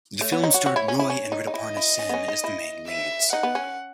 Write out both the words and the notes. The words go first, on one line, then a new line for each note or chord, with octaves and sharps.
The film starred Roy and Rituparna Sen as the main leads.
A3 C#5
B3
D#4
F#4
F#4
E4
C#4
E4
C#4
D#4
D#4
E4 D#5
E4
C#4
B3
C#4
D#4
E4
E5
D#4 F#5
B3
C#4